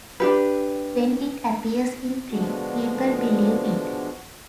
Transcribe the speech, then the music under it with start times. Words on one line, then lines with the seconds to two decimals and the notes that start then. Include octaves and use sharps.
When it appears in print, people believe it.
0.20 D4 G4 B4
2.30 B2 D3 F3 G#3 D4 F#4